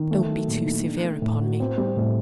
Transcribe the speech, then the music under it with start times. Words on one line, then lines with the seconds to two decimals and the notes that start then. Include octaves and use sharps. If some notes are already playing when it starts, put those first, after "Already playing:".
Don't be too severe upon me.
Already playing: D#3
0.11 A3
0.29 F#3
0.48 A#2
0.66 D#4
0.85 D4
1.04 A3
1.22 A2
1.41 F#4
1.60 C4
1.78 G3
1.97 A2